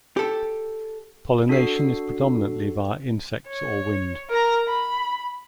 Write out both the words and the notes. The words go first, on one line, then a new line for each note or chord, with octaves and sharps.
Pollination is predominately via insects or wind.
G4 A4
D4 F#4 A4 B6 C7
C#5
A#4 A#5
B5